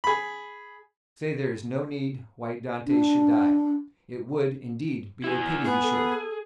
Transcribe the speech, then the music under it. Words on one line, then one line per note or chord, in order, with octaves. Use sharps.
Say there is no need why Dantes should die; it would, indeed, be a pity he should.
G#4 B5
D4
E4 G#4
B3 G#4
A4